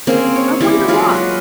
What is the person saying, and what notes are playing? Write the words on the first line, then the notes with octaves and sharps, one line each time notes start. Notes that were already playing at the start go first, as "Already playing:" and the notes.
I wonder why.
A#3 C4 C#4 G#4
C#5
G3 G#3 E4 G4
F#3 G#3 F4
B4 D#5